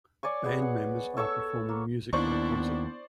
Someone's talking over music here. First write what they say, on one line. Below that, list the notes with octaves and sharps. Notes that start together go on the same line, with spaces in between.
Band members are performing music at a concert.
C#5 D5 G#5 C#6
B3 G#4
F#5
A4 C#5 C#6 E6
A#3
D#2 B3 D4 E4 C5 D5 C#6